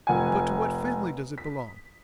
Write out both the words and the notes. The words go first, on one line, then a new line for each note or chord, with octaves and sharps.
"But to what family does it belong?"
F1 F#5 G#5
B6